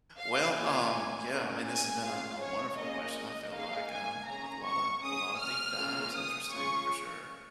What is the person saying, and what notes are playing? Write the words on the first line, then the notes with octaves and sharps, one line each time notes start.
Well, um yeah, I mean, this's been a a wonderful question, I feel like, um, with a lotta a lotta deep dives. Interesting, for sure.
F5
A#3 F4 G#4 G#5
A#3 C#4 G#4
G#5
C#4 F4 G#4 F5
C#5
A#3 C#4 F4 G#4 D#5
D#5
A#3 D#4 G#4 F5
G#5
C#4 G#4 A#5
C#6
C#4 G#4 D#6
F6
A#3 C#4 F4 G#4
D#6
C#4 F4 G#4 C#6